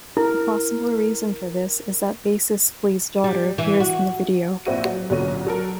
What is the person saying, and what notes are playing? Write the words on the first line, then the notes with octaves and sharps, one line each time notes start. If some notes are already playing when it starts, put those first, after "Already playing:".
A possible reason for this is that bassist Flea's daughter appears in the video.
E4 A#4
G3
E3
F#4
A#1 C4 E4 F#4 D#7
F#3
B1 A#2 D3 F#3 C#4 D#7
F#3 A4 A#4